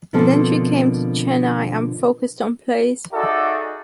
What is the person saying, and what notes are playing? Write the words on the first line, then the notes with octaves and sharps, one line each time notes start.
Then she came to Chennai and focused on plays.
B2 D3 F3 A#3 C4 A4
D#4 F#4 G#4 A4 D5 E5